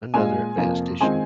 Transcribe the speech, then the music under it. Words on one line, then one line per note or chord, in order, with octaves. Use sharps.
another advanced issue,
A#2 G#3 F4 G#5
F2 C3 F3 A#3
D#3 G#3 C4 F4 G#5